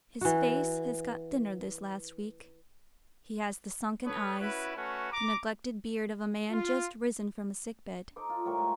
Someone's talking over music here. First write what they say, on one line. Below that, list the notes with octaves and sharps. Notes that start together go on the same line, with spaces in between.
His face has got thinner this last week: he has the sunken eyes, the neglected beard of a man just risen from a sick-bed.
E3 F#4
A4 B4 C#5 D#6
C#4 E4 F#4 B4
A3 C#4 F#4 B4
A#5 D6
F4
D#4 A4 C5 D6
F4
A2 G3 A#4 C#6
G#3